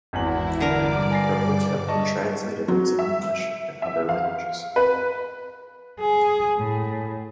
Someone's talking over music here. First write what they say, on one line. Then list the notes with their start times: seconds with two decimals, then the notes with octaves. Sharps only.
Her books have been translated into English and other languages.
0.13 G#1 E2 E4 F#7
0.61 G2 D3 A#4 D5 D6
1.11 G#5 A#6 C7
1.88 D#5 E5 A5 C#6
2.68 F#3
2.99 E5
3.82 E5
4.09 F5
4.76 B4
6.01 G#4
6.58 A2